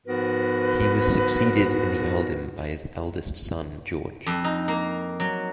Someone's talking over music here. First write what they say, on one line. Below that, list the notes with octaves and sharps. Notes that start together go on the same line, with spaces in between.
He was succeeded in the earldom by his eldest son George.
G#2 F3 B3 F#4 A#4 B4
F2
D#4
A#3
F#3